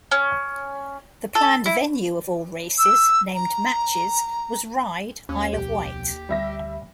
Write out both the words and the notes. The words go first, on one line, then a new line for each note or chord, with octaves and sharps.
The planned venue of all races, named "matches", was Ryde, Isle of Wight.
C#4
A4
E4
E6
A#5
D#2 C#4
C2 B2 F3 G4
D2 G3 E5 A#6